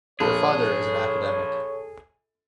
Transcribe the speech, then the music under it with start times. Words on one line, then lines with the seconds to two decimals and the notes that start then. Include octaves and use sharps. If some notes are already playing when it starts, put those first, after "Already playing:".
Her father is an academic.
0.20 A#1 G#4 A4 C#5